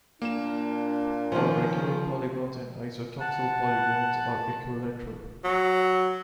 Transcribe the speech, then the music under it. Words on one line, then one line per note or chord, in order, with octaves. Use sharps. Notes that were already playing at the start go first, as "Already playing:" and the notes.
All regular polygons and isotoxal polygons are equilateral.
A#2 A#3 D4 E7
D#3 F3 A#3 C#4
F#5 A5
F#3